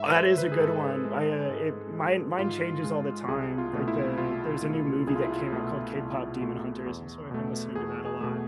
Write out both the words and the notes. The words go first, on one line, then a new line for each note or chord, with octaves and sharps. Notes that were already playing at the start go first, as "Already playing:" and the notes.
Oh, that is a good one. I, uh, it mine mine changes all the time. Like, the there's a new movie that came out called K-Pop Demon Hunters, and so I've been listening to that a lot.
Already playing: G#2 E5
G#3 C5
B4
G#4
G#2 A4
G#3
G#2
G#3
G#2 F4
G#3
C2 G#4
F4
B2 A3
E4
C2 F4
B2 A3
C2 G#4
F4
E4
F4
B2 A3
C2
B2 A3
E2
B2 A3
E2 G#4
G#4
B2 A3